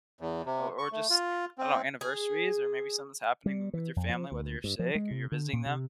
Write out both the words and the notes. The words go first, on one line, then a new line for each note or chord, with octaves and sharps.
or or just, I don't know, anniversaries or maybe something's happening with your family, whether you're sick or you're visiting them.
E2
C3
C#6
A3
F4
C4
G#4
G3
E3
F2
F3
D2
G2
F3
G#3
C3
D3
A#2
C3